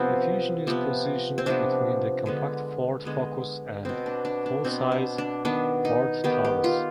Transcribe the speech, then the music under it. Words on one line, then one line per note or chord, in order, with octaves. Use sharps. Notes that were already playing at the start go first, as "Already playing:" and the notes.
The Fusion is positioned between the compact Ford Focus and full-size Ford Taurus.
Already playing: C3 F3 B3 C4 D4
C3 F3 B3
C4
C3 F3 B3 D4
D3 G#3 B3
D3 G#3 B3
B2 B3 C4
D4
D4
D4
B2 B3 C4
D4
D4
D#3 B3 D4
D#4
D#3 B3 G4
G4
F4